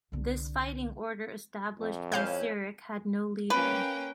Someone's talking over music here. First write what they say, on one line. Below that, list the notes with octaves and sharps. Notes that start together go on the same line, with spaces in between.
This fighting order established by Cyric had no leader.
C2 D3
F2
C#4 E4 B4 F5 G6
A#3 C#4 B4 G5